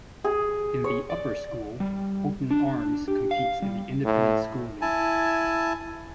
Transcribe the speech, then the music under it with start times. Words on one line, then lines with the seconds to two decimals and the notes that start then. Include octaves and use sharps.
In the Upper School, Holton-Arms competes in the Independent School League.
0.24 G#4
0.84 C#5
1.10 D5
1.80 G3
2.51 D4
3.08 G4
3.31 F5
3.62 G3
4.05 A2
4.81 E4 G#5 A5